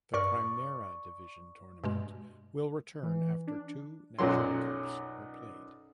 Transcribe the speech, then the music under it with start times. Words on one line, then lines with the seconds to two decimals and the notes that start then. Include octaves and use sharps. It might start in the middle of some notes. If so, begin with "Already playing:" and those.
The "Primera Division" tournament will return after two national cups were played.
0.14 G2 A#4 D5 C#6 F6
1.84 G2 B2 G#3
3.03 E3
3.47 D4
4.19 B1 F#2 A#2 F#3 C6